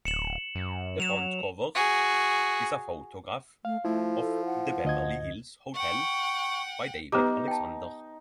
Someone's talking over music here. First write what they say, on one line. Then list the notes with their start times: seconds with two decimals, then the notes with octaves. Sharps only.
The front cover is a photograph of the Beverly Hills Hotel by David Alexander.
0.05 D1 C#7 E7 F#7
0.55 F#2
1.00 F#3 E7 F7
1.75 F#4 G#4
3.65 A3 F5
3.85 F3 A3 E4
4.19 A4
4.45 F#5
4.85 D2 D#5 G#6
5.74 F#5 G5 C#6
7.12 B3 D#4 G4 B4 A#5 D6
7.48 G5 A5